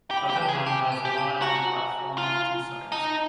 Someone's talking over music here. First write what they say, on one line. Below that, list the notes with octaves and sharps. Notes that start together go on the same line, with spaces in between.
Tottenham has one island platform with two sides.
G4
B5
G4
G#5
A5
G#4
G4 A5
G#5
G4
A5
F#4 A#5
F4
D#4 A5